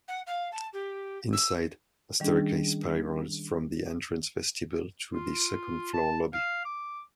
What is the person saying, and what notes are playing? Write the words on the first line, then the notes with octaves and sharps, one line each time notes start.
Inside, a staircase spirals from the entrance vestibule to the second-floor lobby.
F#5
F5
A5
G4
E6
D#3 G3 C#4 D4 G#4
F4
A5
F5
D6